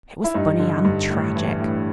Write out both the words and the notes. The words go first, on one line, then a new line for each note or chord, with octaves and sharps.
It was funny and tragic!
E4
G2 D#4
D3
G2
A2
E3
A2